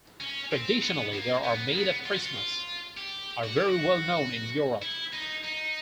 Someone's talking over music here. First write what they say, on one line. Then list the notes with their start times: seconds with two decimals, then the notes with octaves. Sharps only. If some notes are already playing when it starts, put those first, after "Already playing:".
Traditionally, they are made at Christmas, are very well known in Europe.
0.21 C#4
0.52 C4
0.82 B3
1.13 A#3
1.44 B3
1.69 A#3
1.75 B3
2.05 F4
2.16 F#4
2.26 F4
2.97 G4
3.44 F#4
3.56 G4
3.68 F#4
4.82 E4
5.13 D#4
5.44 D#4